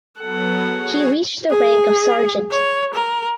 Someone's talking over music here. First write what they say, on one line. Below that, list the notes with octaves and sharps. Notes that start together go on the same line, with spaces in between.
He reached the rank of sergeant.
F#3 B3 A4 F#5
F#4 G#4 C#5
G#4
C#5
A#4